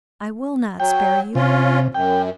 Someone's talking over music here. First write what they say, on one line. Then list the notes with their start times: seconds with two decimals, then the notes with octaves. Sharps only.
I will not spare you.
0.80 F#3 G5
1.35 C3 C#4 F4
1.95 F#2 G5